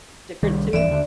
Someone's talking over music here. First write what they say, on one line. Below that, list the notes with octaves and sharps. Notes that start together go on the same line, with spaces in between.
different to me.
C2 D#3 G3
D1 G2 E3 D5 E5
D#2 D3